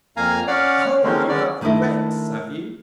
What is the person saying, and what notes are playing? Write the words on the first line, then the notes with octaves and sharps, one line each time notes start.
"Oh, you have regrets, have you?"
F2 A#3 F5 G#5 A#5
C#4 D5 F5 F#5
D3 D#3 G#3 A#3 C4 C#4
G#3 B3 C#4 D5
D#3 G#3 A3 D4 E4 D#5